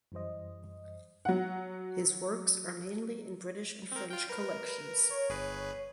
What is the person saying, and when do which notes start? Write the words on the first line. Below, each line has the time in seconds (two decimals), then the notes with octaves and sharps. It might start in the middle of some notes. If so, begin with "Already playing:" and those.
His works are mainly in British and French collections.
0.12 F#2 E3 G3 C5 D#5
1.25 F#3 F#5
3.92 C4 A#4
4.10 F4 G5 F6
4.29 A#4 B4
5.10 C#5
5.29 G1 G#4 B4